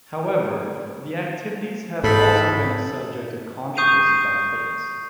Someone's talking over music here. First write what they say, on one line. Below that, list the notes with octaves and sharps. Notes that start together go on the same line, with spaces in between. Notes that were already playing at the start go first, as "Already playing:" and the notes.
However, the activities have also been a subject of controversy by critics.
G#2 A4 B5
C#6 D#6 G6 C7 D#7 F7